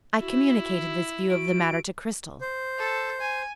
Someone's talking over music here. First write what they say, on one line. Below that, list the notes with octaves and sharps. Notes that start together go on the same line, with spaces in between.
I communicated this view of the matter to Cristel.
E4 F#4
F#4 D7
C5
A4
G#5